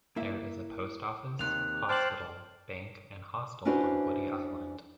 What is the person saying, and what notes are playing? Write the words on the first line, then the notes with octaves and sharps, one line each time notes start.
There is a post office, hospital, bank and hostel on Woody Island.
A#3 E4 E5
D#2 C3 D#3 F#6 F7
C5 G5 A5 D6 F6 F#7
C#4 D4 E4 F#4 B4 C5